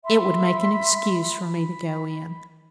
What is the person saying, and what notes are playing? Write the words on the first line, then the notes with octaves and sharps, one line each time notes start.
It would make an excuse for me to go in.
E5 B5 C6
B5